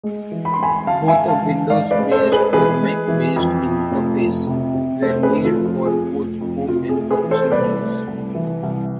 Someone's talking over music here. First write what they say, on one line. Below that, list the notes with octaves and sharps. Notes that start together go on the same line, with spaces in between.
Both a Windows-based or Mac-based interface were made for both home and professional use.
G#3
E3
B5
C6
G#2 G#5 B5
G#1 F5 A5
E5 G#5
G#2
F5 A5
E3
G#2 D5 F5
B4 D5
G#3
A4 C5
G#3
G#4 B4
E3 G#4 B4
G#3
E3
F2
F3
F1
F2
C3
C3
F1 A4 C5
G#4 B4
F1
F4 A4
F3
F4
F2 G#4
F1
F2
C3 F4
G#4
A3
G#4 B4
E3
A4 C5
C2 B4 D5
A3
C2
E3
C2